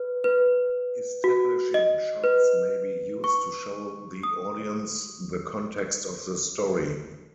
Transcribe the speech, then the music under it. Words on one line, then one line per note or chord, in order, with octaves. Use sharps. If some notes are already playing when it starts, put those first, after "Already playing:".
Establishing shots may be used to show the audience the context of the story.
Already playing: B4
B4
F#4
D#5
B4
C#6
D#6